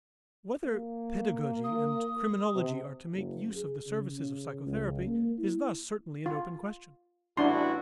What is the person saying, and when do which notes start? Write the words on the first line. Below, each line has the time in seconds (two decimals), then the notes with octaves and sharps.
Whether pedagogy and criminology are to make use of the services of psychotherapy is thus certainly an open question.
0.65 A#3
1.64 D#6
2.55 C3
3.13 F#1
3.54 G#4
3.86 C#3
4.18 C#3
4.66 C#2
5.06 A#3
5.38 E4
6.26 F4
7.37 A1 D4 E4 F#4 C6